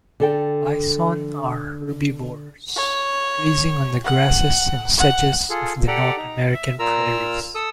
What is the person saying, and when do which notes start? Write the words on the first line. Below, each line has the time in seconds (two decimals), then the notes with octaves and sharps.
Bison are herbivores, grazing on the grasses and sedges of the North American prairies.
0.20 D3 A4 G5
2.76 C#5
4.05 F#5
4.97 F#5
5.50 F4 G#4 A4
5.87 G4 A4 D5 F#5 A#5
6.17 D#4 A#5
6.53 E5
6.79 A#2 A#3 F4 A#4 A#5 E6
7.55 A4 D#6 E6